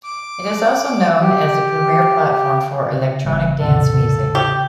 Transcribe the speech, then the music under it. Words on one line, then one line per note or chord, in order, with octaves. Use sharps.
It is also known as the premiere platform for electronic dance music.
D6
G4
C#3
G1
A1 E2 C3 A4
G4